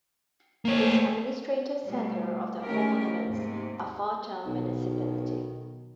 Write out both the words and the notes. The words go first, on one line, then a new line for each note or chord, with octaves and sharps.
It is the administrative centre of the homonymous Alfatar Municipality.
A3 A#3 C5 C#5 G#5
B2 G3 A3
D#3 A3 C#4 E4 G4 A#4
D#2 G#2 C3
B1 B2 D#3